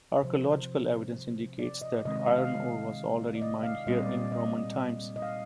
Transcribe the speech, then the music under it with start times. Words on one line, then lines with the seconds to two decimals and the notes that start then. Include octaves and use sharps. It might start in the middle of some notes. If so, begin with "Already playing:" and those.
Archaeological evidence indicates that iron ore was already mined here in Roman times.
0.23 C3 F3 C4 C5
1.59 D5
1.81 D#5
2.05 C3 D#3 G#3 C4 D#5
2.16 D#5
2.28 F5
2.38 F5
3.35 D5
3.41 D#5
3.63 F5
3.86 A#2 G3 C4 D#5
4.01 D5
4.17 D5
4.32 D#5
5.16 D#5
5.22 F5